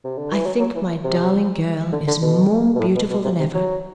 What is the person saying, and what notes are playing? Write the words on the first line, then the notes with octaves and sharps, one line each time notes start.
I think my darling girl is more beautiful than ever.
C3
D3
E3
F#3
F#3
E3
C3
D3
D3
B2
B2
A2
B2
B2
C3
C3
F#3